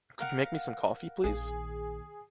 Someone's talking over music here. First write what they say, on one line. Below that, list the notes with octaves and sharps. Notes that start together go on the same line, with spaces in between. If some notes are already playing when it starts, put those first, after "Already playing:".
Could you make me some coffee, please?
A#4 F5 F#5
A#1 D#3 G#4